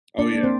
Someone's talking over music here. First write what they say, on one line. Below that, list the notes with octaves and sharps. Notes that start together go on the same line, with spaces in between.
Oh yeah.
A#3 D4 D5
A#3
C4 C5